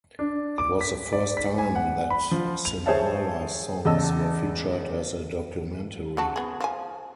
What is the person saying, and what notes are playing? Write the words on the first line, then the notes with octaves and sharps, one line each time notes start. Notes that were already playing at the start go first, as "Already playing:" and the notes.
It was the first time that Sinhala songs were featured as a documentary.
D4
D6
B6
D5
B6
G#5
F#5
B5
F3
F7
G#4 C5 C#5 E5 A5
E2 C#3 D#5 A5 E6
C#3 F#4 A5
B3 G#4
F3 G#5